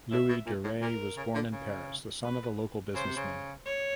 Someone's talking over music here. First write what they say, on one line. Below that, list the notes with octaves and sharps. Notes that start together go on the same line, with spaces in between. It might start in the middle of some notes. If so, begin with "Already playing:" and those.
Louis Durey was born in Paris, the son of a local businessman.
A2 E5
B2
A#2
A2
A#2 A#4
C#3
D3
C#3
B4
C#3 C5
C3
C#3
C#5